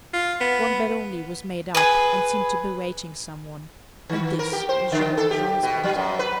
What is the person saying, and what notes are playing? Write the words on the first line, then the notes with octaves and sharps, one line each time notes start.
One bed only was made up, and seemed to be waiting some one, and this was Jean Valjean's bed.
F4
B3
G#4 B4
D#3
A#4
G4
C5
D3
A4
G4
B2
F#3
F#2
B4